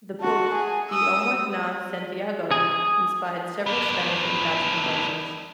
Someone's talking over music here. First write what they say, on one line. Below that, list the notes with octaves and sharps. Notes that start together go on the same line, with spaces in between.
The book "De omweg naar Santiago" inspired several Spanish and Dutch composers.
F#4 A5
G#4
D#6 E6
G#4
B3 D4